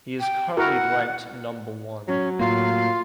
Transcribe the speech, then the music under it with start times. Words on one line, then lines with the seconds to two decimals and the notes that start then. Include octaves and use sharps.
He is currently ranked number one.
0.20 G5
0.57 E4 F#4 A#4 F#5
2.08 F#3 C#4
2.39 A2 A#3 F4 F5